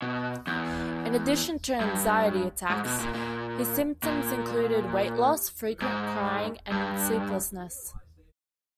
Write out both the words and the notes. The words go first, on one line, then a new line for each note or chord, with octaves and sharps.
In addition to anxiety attacks, his symptoms included weight loss, frequent crying, and sleeplessness.
B2
E2
G2
G#2
B2
A#2
A#2
A#2
G#2
G2